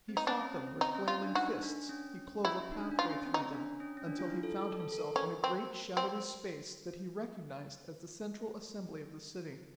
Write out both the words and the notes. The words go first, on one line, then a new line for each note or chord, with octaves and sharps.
He fought them with flailing fists, he clove a pathway through them, until he found himself in a great shadowy space that he recognized as the central assembly of the city.
C4
D#4
C#4 D4
C#4
C4
C#4
C4 D#4
C#4
C#4 F4
D4
D#4 F#4
D4
C#4
C#4 E4
C#4
D#4
D4
D4
C#4 F4
C#4
C4
D#4
C#4
D4
C#4
C#4
D4
F4
E4
A4
A4
A4
A4
A#4
C#4
C4
C4